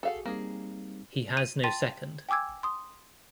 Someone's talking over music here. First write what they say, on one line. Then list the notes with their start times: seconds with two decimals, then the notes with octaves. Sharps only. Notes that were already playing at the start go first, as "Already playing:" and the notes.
He has no second.
0.03 F#4 G#4 A4 F5 F#5
0.26 G3 A#3 C4 D#4 G#4
1.37 D#7
1.64 G5 A5 C6 A6 D#7
2.29 G5 G#5 D6 E6 G#6
2.63 C6 D#6